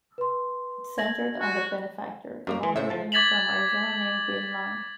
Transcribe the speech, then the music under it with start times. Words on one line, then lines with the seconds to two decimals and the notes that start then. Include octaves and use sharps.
It centered on the "Benefactor", a multi-millionaire from Arizona named Bill Long.
0.18 B4 C6
0.98 G#6 A#6 F#7
1.40 F#4
2.47 F#2 A#3 G4 A#4
2.63 E3
2.76 A2 C#3 C5 E5
2.90 F3 A5
3.12 D6 G#6 A6 B6 F7 F#7